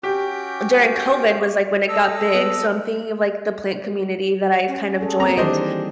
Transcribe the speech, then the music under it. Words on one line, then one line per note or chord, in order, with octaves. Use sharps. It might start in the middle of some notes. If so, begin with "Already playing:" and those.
during COVID was, like, when it got big, so I'm thinking of like the plant community, that I kind of joined
C#4 F#4 G4 G5
A4 D#5 E6
B3
C#4
G#4 A4
A#3 C4 A#5
D#3 E3 G3 D4 G4 C5 D#5